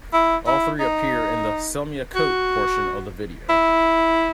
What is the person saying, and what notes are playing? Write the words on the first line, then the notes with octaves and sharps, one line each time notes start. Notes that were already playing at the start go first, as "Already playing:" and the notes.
All three appear in the "Sell Me A Coat" portion of the video.
E4
E4
D#4
F#4
E4